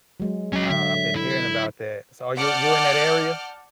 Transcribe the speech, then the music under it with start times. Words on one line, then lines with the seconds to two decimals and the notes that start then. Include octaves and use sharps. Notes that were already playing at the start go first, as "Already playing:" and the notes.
Ah, I've been hearing about that. So, are you You're in that area?
0.20 F#3 G#3
0.53 F#3 C#4 D#5
0.70 D3 E5
1.16 E4
2.38 D5 F#5 A5 D6 F6 G6